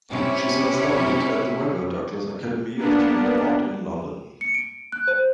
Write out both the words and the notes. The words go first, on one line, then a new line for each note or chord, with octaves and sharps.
She then studied at the Webber Douglas Academy of Dramatic Art in London.
C3 C#4 E4
A#3 B3 D4
C#7
D7
F#6
C5